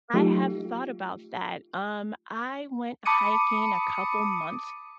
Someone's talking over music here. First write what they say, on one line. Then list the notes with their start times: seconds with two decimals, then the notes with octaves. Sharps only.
I have thought about that. Um, I went hiking a couple months
0.14 F#3 A3 D#4 F4 G4
3.05 A5 B5 D6 D#6 C#7 D#7